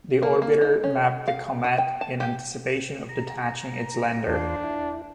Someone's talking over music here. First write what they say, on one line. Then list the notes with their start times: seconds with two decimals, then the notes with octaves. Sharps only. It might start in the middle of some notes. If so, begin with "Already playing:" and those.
The orbiter mapped the comet in anticipation of detaching its lander.
0.23 A#3
0.42 A#3
0.61 D#4
0.84 C#4
1.28 F5
1.64 F#4
1.78 G5
2.01 A5
2.20 G4
3.09 A#5
4.27 E2 D4 F4 C6
4.64 E4